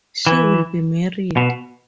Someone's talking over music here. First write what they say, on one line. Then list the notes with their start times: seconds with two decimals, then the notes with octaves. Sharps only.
She will be married!
0.27 E3
1.37 B2